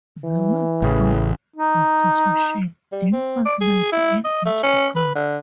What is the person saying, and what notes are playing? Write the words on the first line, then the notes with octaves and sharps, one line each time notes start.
The words of institution differ slightly in each account.
E3
A1 A2 C#3
D#4
G3
C4
D5
G#4
E4
D#5
A3
C#4
B4
D3